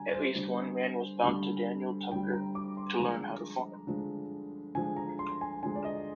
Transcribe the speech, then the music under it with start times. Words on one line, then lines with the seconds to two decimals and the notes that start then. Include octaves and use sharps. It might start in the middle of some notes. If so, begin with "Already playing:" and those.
At least one man was bound to Daniel Tucker to learn how to farm.
Already playing: D3 G3 G#5 A#5
0.14 C5
0.35 D3 G3
1.23 D3 G3
2.11 D3 G3 G5
2.33 A#5
2.55 D6
2.77 C6
2.99 D3 F3 G#3 A#5
3.87 D3 F3 G#3
4.75 D3 F3 G#3 G#5
4.97 A#5
5.19 C6
5.41 G#5
5.63 D3 F3 G#3 G#5
5.75 D5
5.85 D#5